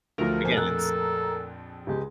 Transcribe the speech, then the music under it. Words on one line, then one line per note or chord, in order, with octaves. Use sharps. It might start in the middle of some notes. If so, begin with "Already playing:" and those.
again, it's
D2 F3 F#3 A3 A#4
G#2 B2 F3 G3 A3 G#5
A#1 F2 A4 F#6
C#2 G#3 G4